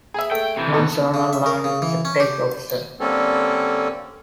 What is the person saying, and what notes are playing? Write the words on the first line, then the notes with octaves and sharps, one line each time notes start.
Lon Sernan Lon is a Tech officer.
G#4 E5
A3 G5
C3 E3
B2 A4
C#3
E5
A#4
C#3
E3
C#4
G4
D3 G3 A#3 C4 C#4 A4